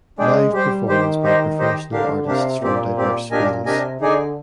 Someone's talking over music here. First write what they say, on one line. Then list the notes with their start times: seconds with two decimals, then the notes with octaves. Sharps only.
Live performance by professional artists from diverse fields.
0.19 G#3 D4 G#4 D5 G5
0.53 G3 G4 C5 G5
0.88 D#3 G4 C5 G5
1.23 D#4 G4 C5 D#5 G5
1.57 D#4 G4 C5 D#5 G5
1.92 D3 D4 G4 A#4 F5
2.26 C3 D4 G4 A#4 F5
2.61 A#2 C4 G4 D5
2.97 C4 G4 D5
3.31 A#2 D4 G4 A#4 D#5 G#5
3.66 C3 D4 G4 A#4 D#5 G#5
4.01 D3 D#4 G#4 D5 G#5